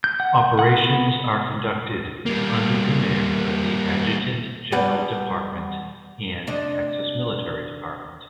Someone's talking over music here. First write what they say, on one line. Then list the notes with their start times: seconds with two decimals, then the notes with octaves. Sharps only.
Operations are conducted under command of the Adjutant General Department and Texas Military Department.
0.04 G6
0.20 F#5
0.59 F#5
0.78 B3
2.26 G3 A#3
4.72 B2 G3 B3 F#5
6.47 C3 D4 D#5